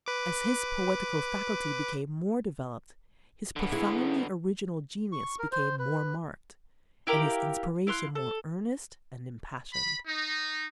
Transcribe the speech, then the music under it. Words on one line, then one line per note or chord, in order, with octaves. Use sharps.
As his poetical faculty became more developed, his profoundly original genius became more marked, and his inspiration more earnest and impassioned.
B4 D6
D3 B3
E4 G#4
C#6
A#4
C5
B4
E4 G4 A#4 F5
E4 F5 C6 F#6
A4
B5
D#4